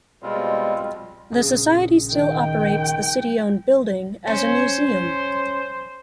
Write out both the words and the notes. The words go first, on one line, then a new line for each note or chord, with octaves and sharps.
The society still operates the City owned building as a museum.
B2 G3 G#3 C4 F4
A#1 C#3 G#4
D#3 G5
C#4 C5